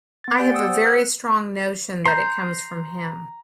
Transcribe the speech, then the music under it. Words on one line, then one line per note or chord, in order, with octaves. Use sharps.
I have a very strong notion that it comes from him.
B3 A6
G4 D5 G#5 G6 D7
F#5 G5 D#6 E6
C5 F#5 E6
B4 F#6
A#5 C6 G6